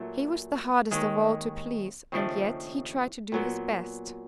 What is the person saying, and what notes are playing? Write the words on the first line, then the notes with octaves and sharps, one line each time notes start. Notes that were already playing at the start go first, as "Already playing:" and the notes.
He was the hardest of all to please: and yet he tried to do his best.
Already playing: A#2 F#3 A3
D#2 D#3 G#3
D#2 C#3 F3 A3 D4
A#2 F#3 B3